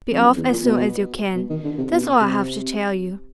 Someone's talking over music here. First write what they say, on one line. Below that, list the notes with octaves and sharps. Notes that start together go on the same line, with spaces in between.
Be off as soon as you can, that's all I have to tell you.
F2
F#2
E2
A#2
B2
B2
D#3
D3
C3
B2
C3